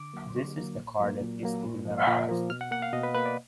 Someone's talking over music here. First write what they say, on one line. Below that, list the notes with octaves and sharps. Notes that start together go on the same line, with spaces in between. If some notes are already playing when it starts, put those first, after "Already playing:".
This is the card that is to be memorized.
Already playing: D3 D6
F#3 A#3
D3
F#3 A#3
A#2
F#3 A#3
A#2
F#3 A#3
A#2
F3
A#3
A#2
F3 A#3
B2 F6
F#5
A#3 F#5
F5
B2 D#5
B4
A#3 B4
D5